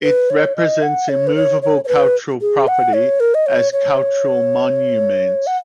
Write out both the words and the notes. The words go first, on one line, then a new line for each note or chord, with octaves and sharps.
It represents immovable cultural property as cultural monument.
B4
C#5
D#5
F#5
C#5
B4
C#5
C#5
C#5
B4
G#4
F#5
C#5
A#4
D#5
C#5
C#5
F#5